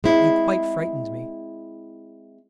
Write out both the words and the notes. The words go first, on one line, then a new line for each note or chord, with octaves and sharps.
You quite frightened me.
G#3 C4 E4